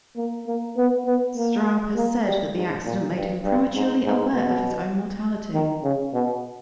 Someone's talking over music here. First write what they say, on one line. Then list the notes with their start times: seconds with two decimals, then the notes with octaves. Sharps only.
Straub has said that the accident made him prematurely aware of his own mortality.
0.16 A#3
0.47 A#3
0.77 B3
1.06 B3
1.37 A#3
1.96 A#3
2.25 G3
2.55 G#2
2.85 A#2
3.16 G2
3.45 G2
3.75 G#2
4.05 G#2
4.34 B2
5.54 D#3
5.84 C#3
6.14 B2